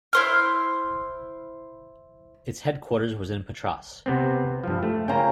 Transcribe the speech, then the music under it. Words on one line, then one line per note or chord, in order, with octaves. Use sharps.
Its headquarters was in Patras.
E4 C5 F6
C3 B3 C4
G2 F3
A3
C#3 A#3 F4 G5 A#5